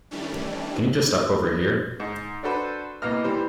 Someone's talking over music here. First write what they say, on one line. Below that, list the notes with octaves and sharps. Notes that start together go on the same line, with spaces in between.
Can you just step over here?
D#3 E3 G3 A3 C#4 D4
G#2
D4 F#4 A4 B4 C5
C2 B2 A#3 D#5 F6
E3 G3 C5